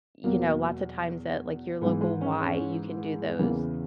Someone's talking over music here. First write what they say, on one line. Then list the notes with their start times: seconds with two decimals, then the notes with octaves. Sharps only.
you know, lots of times at, like, your local Y, you can do those,
0.24 E2 B2 F#3 A#3
1.82 G#2 E3 B3
2.01 G#3
2.21 C#4
2.40 C#4
3.39 E2 C#3 E3 A#3